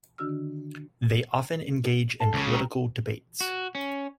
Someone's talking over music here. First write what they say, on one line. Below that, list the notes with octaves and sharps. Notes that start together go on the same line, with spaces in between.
They often engage in political debates.
D3 D#3 D4 F#4 E6 F6
A4 F5 A5
C#2 C#3
G4 B4 A#5
F#4
C#4